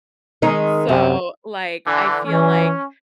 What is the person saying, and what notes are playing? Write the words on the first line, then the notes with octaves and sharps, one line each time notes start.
so, like, I feel like
D#3 G#3 D#4
F#2 C3
D3 E3
E3 C#4